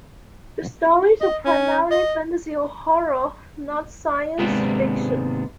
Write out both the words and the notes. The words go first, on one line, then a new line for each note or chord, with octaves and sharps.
The stories are primarily fantasy or horror, not science-fiction.
D#5
C#4
D#5
D#2 G#2 C3 G#3 B3 D4